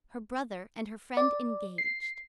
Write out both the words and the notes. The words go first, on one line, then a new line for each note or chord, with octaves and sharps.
Her brother and her friend engaged!
D5
C7